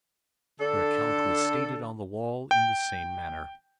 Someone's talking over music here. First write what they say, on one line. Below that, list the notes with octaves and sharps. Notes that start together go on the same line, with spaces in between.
Her account was stated on the wall in the same manner.
D3 D4 A4
G5